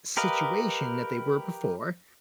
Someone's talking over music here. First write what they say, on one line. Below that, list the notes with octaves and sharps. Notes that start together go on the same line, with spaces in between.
situation that they were before.
G4 A#4 B4 D#5 F5